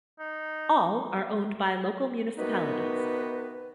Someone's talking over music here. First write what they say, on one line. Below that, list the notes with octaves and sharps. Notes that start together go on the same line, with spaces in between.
All are owned by local municipalities.
D#4
C3 D#3 B3 D#4 F#4 B4